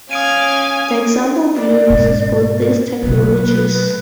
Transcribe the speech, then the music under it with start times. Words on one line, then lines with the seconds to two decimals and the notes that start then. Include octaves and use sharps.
The example below uses both these technologies.
0.11 C#4 F5 G#5 D#6 G#6 D7 D#7
1.56 D5
1.90 G#2 B2
3.03 B2 F#3 B4